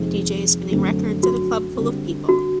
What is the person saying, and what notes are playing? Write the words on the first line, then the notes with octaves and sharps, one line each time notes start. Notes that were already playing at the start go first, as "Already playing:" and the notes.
A DJ is spinning records at a club full of people.
Already playing: F2 C3 D#3 G#3 C4
F#2 D3 F#3 A3 C4
F#4
D3 G3 C4
F#4